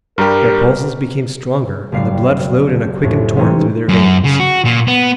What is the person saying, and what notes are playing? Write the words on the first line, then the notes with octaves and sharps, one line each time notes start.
Their pulses became stronger, and the blood flowed in a quickened torrent through their veins.
G2 G3 G4 A#4 A#5 F6
F#1 G3 F5 C7
C2 F2 A2
C3 E3 G#3 C#4 D#4
F#2
C#3
F#4
A#2
B3